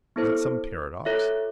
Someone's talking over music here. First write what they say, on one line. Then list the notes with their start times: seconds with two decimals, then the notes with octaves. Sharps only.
Is it some paradox?
0.16 B3 E4 A4 C5
1.05 F4 A4 C#5 E5